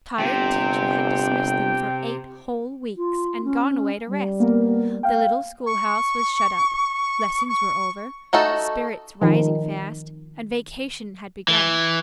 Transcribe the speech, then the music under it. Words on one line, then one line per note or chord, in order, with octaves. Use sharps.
Tired teacher had dismissed them for eight whole weeks, and gone away to rest; the little school-house was shut up, lessons were over, spirits rising fast, and vacation had begun.
G1 C3 G5
F4
C#4
G3
A#3 B3 A#4
F5 G5
C#6
C#6
A3 D#4 F#4 A4
D#3 F3
E3